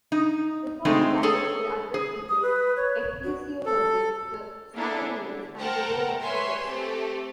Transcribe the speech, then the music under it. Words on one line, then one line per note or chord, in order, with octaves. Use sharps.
Important topics they address include ecclesiology, the sacraments, and the role of bishops.
D#4
G#3 A3 C4 D#4
G#4 A4 C#5
G#4
D#6
B4
C#5
F#4
A4
A#3 B3 D4 E4 G#4 A4
D3
A#4 C5 F#5 G5 A5 A#5
B4 C#5 E5 G#5 C6
A3 C4 G4 A4